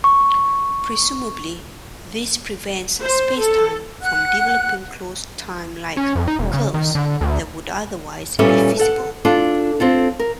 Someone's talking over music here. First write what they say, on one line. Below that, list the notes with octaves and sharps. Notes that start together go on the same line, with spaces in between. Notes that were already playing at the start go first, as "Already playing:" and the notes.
Presumably, this prevents spacetime from developing closed time-like curves that would otherwise be feasible.
C#6
C5
A4
F#5 F#6
C#4
F2
D#4
E1
C#3
D#3
D3
D2
A#2 G3 B3 C#4 A4 E5
A4 F#5
D4 F4 A4
C4 F4 A4
A#4